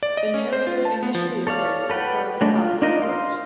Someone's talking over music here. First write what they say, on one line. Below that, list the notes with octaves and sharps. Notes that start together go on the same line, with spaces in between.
The Narrator initially appears to prefer the classic approach.
D5
D#5
C#4
C5
F4
A5
B3
F3
A4 C#5 D5 F5
A4 B4 F#5 G5
F#3 G#3 A3 D4
F4
D4 D#4 F4 A#4 D#5
F5 C6 F6